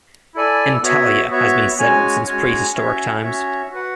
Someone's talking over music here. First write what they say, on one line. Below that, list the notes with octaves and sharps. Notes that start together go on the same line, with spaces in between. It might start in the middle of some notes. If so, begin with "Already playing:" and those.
Antalya has been settled since pre-historic times.
E4 A4 D5 G#5
B3 F#4 C#5 E5
B3 F#4 C#5 E5
G#3 C#4 F#4 C#5 G#5
G#3 C#4 F#4 C#5 G#5
C#4 F#4 C#5 E5
C#4 F#4 C#5 E5
F#4 B4 F#5